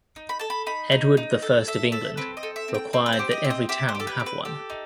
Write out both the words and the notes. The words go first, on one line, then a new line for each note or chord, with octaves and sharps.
Edward the First of England required that every town have one.
D#4
B5
A4 A5
B5
D#4 B5
D#4
D#4
A4
A4 E5
A4 E5
C4 B4
D#5
A4
E5
C4
G5
C4 A4
B4
C5
G4
D#5
C4
D#5
G4 E5
C5
G4
A4
B4
C4
B4
G4 A4
D#4